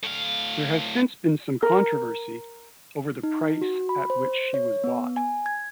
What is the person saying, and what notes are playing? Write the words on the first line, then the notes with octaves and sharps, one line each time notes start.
There has since been some controversy over the price at which she was bought.
A2 F5
A#4
D#4
F#4
B5
C5
C#5
B3
G#5
G#6